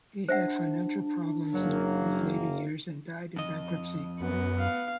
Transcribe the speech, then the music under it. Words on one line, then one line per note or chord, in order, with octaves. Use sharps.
He had financial problems in his later years and died in bankruptcy.
D4 C5 E5 F#5
F#1 F#3 A#3
F2 D#5
F#2 B3
F5